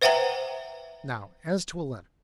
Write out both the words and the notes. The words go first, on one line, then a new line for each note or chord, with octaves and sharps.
Now, as to a letter.
B4 C5 E5 F#5 G5 A#5